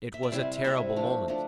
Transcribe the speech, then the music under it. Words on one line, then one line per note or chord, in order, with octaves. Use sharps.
It was a terrible moment.
E5
D5
C3 G3 C4 E4 C5
C3 G3 C4 E4 E5
F3 A3 D4
F3 A3 D4